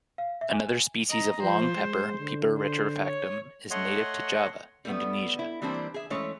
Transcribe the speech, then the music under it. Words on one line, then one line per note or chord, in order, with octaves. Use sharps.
Another species of long pepper, "Piper retrofractum", is native to Java, Indonesia.
F5
E5
G#5
D#5 A#5
F3 C5
G#3
D3
C5
C#5
A3 C#5 D#5 F#5 C6
G3 A3 B3
E4
E3 G3 A#3 C4 D4 C5
G#4 E5
E3 G#3 A3 C#4 C#5